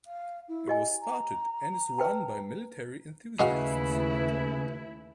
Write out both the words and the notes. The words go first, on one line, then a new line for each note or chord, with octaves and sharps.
It was started and is run by military enthusiasts.
F5
E4
G4 D#5 G#5
A#5
B4 G5 A5
D#2 C#3 G#3 A3 E4 F#4 B4 F5